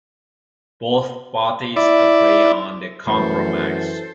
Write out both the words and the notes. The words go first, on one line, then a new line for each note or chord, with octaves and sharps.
Both parties agree on the compromise.
E4 D5
F#2 E3 A3 A4 C5